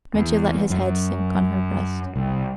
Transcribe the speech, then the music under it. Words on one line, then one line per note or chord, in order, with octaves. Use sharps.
Mitya let his head sink on her breast.
E2
F#2
C2